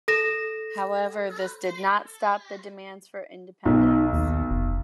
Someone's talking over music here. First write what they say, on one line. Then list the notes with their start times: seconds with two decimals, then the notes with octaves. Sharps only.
However, this did not stop the demands for independence.
0.08 A4 A#6 E7
3.66 B1 D#4
4.13 D#2
4.51 F1